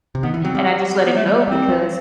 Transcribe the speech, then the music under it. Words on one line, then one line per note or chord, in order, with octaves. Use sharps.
And I just let it go because
C3
D#3 B3
E3
F#3 C4
G3
B3
A3
G3
A3
G3 C4
F#3